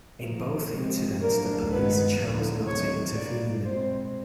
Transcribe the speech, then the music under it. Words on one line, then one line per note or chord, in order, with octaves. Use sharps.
In both incidents the police chose not to intervene.
C#3 F3 A#3
C#3 F3 G#3 C4
A2 F#3 A#3 D4 A#4
G2 D#3 G#3 B3 B4
D2 D3 F3 A#3
C3 D#3 F#3 C#5
B2 G3 A#3 D5
B2 G#3 C4 C5